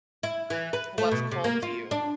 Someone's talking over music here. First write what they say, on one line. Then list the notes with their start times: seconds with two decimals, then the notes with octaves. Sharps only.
What's cold to you?
0.23 E4
0.50 E3
0.73 B4
0.98 A3
1.11 B2
1.31 C3
1.44 A#3
1.63 F4
1.91 D4